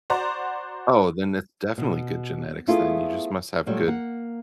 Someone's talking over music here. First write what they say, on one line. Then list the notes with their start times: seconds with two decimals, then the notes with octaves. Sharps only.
Oh, then it's definitely good genetics then. You just must have good,
0.10 F#4 C5 D5 A#5
1.78 B2
2.67 A3 B3 E4 F4 G#4 A4
3.66 A#2 F#3 G3 A3
3.86 A#3 F#5